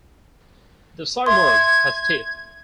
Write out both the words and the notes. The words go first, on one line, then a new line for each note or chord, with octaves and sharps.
The simurgh has teeth.
E5 C6 G#6